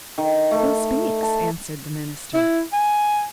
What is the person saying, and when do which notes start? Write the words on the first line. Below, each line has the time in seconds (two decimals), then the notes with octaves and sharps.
"Who speaks?" answered the minister.
0.18 D#3
0.51 A3
1.23 A5
2.34 E4
2.73 G#5